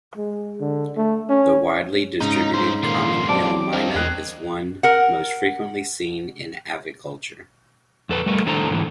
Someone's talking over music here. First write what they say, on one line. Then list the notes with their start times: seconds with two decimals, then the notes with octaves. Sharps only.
The widely distributed common hill myna is the one most frequently seen in aviculture.
0.17 G#3
0.60 D3
0.96 A3
1.29 C#4
2.21 G#2 C#3 D#4
2.54 G2 C5
2.83 A#2 D3 D#3 A#3 C6
3.29 F#3 C4 D5 A5 D6
3.73 G3 A#3 C4 D4 D#4
3.94 E2 G#4 G5 F#6
4.83 A#4 F#5
8.09 F2 A4 B4
8.26 G3 A3 A#4
8.46 A2 D#3 D4 A4 C5 A#5
8.70 G#2 D3 E3